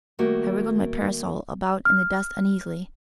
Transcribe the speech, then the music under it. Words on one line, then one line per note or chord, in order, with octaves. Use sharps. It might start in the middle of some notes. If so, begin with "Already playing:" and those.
I wriggled my parasol about in the dust uneasily.
D#3 G3 A3 A#3 F#4
F6